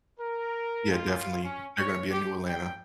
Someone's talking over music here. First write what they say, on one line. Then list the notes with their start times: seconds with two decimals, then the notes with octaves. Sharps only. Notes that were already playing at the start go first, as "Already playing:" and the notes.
Yeah, definitely, there gonna be a new Atlanta.
0.19 A#4
0.91 F4
1.44 C#4
1.78 C#5
2.11 G4
2.48 G5